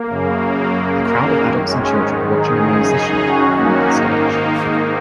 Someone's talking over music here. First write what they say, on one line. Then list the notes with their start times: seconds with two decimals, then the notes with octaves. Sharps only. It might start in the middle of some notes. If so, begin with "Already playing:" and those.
A crowd of adults and children watching a musician perform on stage.
Already playing: A#3
0.10 F#2 C#3
0.73 F#2 C#3
1.05 A#3
1.35 F#2 D#3
1.68 G#3 C#4
1.99 G#2 D#3
2.30 D#4 G#4
2.63 F#2 C#3
2.94 D#4 G#4
3.25 F#2 D#3 C#4 F#4
3.57 A#3 D#4
3.89 G#2 D#3